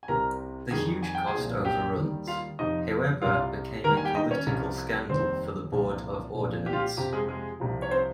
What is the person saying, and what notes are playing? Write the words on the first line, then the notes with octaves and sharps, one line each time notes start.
The huge cost overruns, however, became a political scandal for the Board of Ordnance.
G#5
C2 C3 G3 A#4 A#5
F2 D#3 G3 G#4 G#5
G#5
G5
G#4 G#5
C2 A#2 F3
G4 G5
D#2 D#3 G3
F4 F5
F2 C3 F3 D#4 D#5
C2 C3 G3 F4 F5
D#2 D#3 G3 A#4 A#5
G#5
G4 G5
D#4 D#5
C#4 C#5
C2 C3 F3
F1 D#2 D#3 G3 C4 C5
C2 A#2 F3
C2 A#2 F3
G4
F4
G4
F2 C3 F3 G4
G#3 G#4
G#3 G#4
C2 C3 F3
C#5
C4 C5